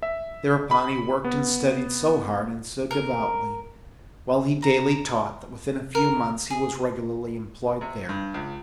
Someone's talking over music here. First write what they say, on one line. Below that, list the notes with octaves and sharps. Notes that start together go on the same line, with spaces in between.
Thereupon he worked and studied so hard and so devotedly, while he daily taught, that within a few months he was regularly employed there.
E5
B5
B3
A#4
A#5
A#4
G#4
C3
G2
C#2